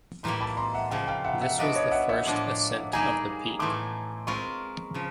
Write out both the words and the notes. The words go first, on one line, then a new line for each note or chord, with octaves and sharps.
This was the first ascent of the peak.
A2 E3 G3 A#3 A#5 C6
A5 B5
A#5 C6
E5 F#5
C#3 F3 A#3 F5 G5
F5 G5
E5 F#5
E5 F#5
B3 D4 F#4 B4 D5 D#5 F5
C#5 D#5
E5 F#5
E5 F#5
A2 F3 A#3 D4
G3 A#3 D#4 G#4 G#5 A#5
A2 E3 A3 C6 D6
G#3 C4 F4 A#4 B5 C#6
C#3 F3